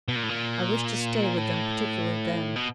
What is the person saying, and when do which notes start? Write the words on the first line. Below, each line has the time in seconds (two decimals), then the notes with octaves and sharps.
I wish to stay with them particularly then.
0.08 B2
0.16 A#2
0.23 A2
0.29 A#2
1.38 A2
2.56 B2